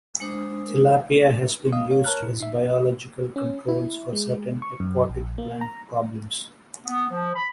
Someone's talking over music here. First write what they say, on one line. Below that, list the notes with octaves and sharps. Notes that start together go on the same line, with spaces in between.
Tilapia has been used as biological controls for certain aquatic plant problems.
G#3 D4 C5 D#6
D#5 F5 D#6
C#5 F5
A#4 C#5 A5 A#5 F6 F#6
A#2 E4
D#4 E5
C#4
E4
G#3
C#6
F#2
A#1
A#3
A#5
B3
F3
B5